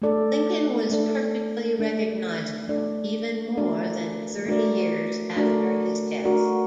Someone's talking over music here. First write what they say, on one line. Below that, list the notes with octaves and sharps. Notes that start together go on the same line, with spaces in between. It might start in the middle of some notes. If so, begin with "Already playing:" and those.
Lincoln was perfectly recognizable, even more than thirty years after his death.
A3 D4 A4 D5
A3 D4 A4 D5
A3 D4 A4 D5
A3 D4 A4 D5
A3 D4 F#4 A#4 D5
A3 D4 F#4 A#4 D5
A3 D4 F#4 A#4 D5
A3 D4 F#4 A#4 D5